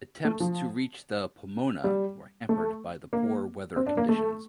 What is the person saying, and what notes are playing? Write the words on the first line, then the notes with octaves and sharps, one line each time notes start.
Attempts to reach the "Pomona" were hampered by the poor weather conditions.
A3
F3
G3
A3
A#3
C4
D4
A#3
A3